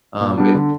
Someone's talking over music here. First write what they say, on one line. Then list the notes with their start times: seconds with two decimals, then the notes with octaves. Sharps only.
Um, i
0.21 A#2
0.38 G3 B3 D4
0.55 D3